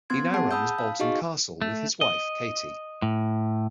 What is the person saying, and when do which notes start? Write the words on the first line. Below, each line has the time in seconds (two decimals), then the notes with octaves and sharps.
He now runs Bolton Castle with his wife Katie.
0.10 B3 C4 C6 G#6
0.34 G#4 F#5 A5
0.51 A5 B5 D#6 E6 G6
0.79 F5
1.00 D#4 F#4 G#4 D#5 F5 C#6
1.62 A3
2.01 D#5
3.02 A2